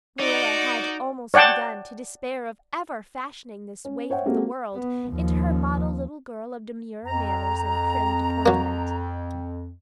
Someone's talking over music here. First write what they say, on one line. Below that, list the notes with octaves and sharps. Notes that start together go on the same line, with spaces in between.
Marilla had almost begun to despair of ever fashioning this waif of the world into her model little girl of demure manners and prim deportment.
D#4 F#4 D5
C#5 D5 F#5 G5 A5
C#4
C5 C#5 E5 F#5 G5
G#3 A#3 C4 F#4 G4 A4
B3
D#2 F3
F2 A#5
F#3 A#3